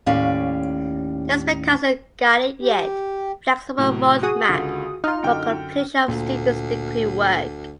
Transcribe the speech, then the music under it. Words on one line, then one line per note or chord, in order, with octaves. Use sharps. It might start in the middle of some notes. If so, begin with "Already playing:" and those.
This becomes a guiding yet flexible road map for completion of students' degree work.
D#2 A2 C#4 G4 D5 F5
G4
A2 C3 F#3
F#4 G#4 D#6
C#2 D3
D#4 F4 C6 F6
F#2 D3 G5
D2 A#2